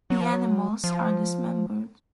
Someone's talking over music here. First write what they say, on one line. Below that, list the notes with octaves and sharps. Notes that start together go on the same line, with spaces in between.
The animals are dismembered.
F#3
F3
F#3
F3